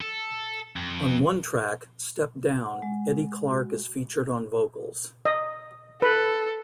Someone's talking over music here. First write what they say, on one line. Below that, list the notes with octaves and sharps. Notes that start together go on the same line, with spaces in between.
On one track, "Step Down," Eddie Clarke is featured on vocals.
A4
F2
F#5
G#3
F#4
D#5
A4 B4